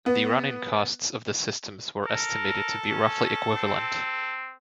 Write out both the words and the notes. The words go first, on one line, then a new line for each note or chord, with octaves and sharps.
The running costs of the systems were estimated to be roughly equivalent.
B3
A4 A#4
C#4
C4